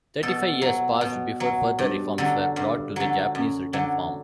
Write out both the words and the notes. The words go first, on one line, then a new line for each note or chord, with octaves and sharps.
Thirty-five years passed before further reforms were brought to the Japanese written form.
B2 A4
F#3
B2
F#3
G2
D3 F#3
G2
D3 F#3
F#2
D3 F#3